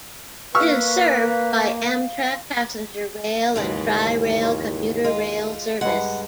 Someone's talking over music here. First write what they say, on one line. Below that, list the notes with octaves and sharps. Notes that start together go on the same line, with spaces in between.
It is served by Amtrak passenger rail and Tri-Rail commuter rail service.
A#3 B4 F5 C#6 E6 F6
D#2 G#2 C#3 E3
F4 C#5
G#3 F4
G2 G#3 F#5